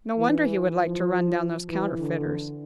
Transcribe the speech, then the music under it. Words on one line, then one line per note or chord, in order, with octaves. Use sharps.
No wonder he would like to run down those counterfeiters.
E3
F3
E3
D3